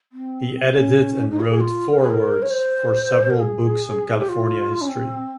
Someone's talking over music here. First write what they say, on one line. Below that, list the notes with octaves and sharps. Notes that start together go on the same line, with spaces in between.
He edited and wrote forewords for several books on California history.
C4
C#4
D#4
A#4
G#4
F4
A#4
G#4
A#4
C#5
C5
A#4
G#4
G4
F4
C#4
C4